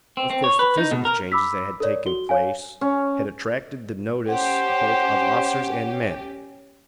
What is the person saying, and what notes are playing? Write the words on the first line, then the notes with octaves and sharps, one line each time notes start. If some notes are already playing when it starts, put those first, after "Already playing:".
Of course, the physical changes that had taken place had attracted the notice both of officers and men.
C4
C4
C#5
B4
D#4
B2
A#4
B5 D6 E6 B6
A4 A#4 C#5 D5
F#4 G7
C#5 F5 G#5
C#4
C#4 G4 C5 F#5